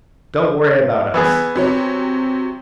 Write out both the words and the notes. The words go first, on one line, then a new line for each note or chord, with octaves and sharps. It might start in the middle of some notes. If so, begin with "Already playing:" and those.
Don't worry about us.
E3 B3 G#4
C3 F#3 C#5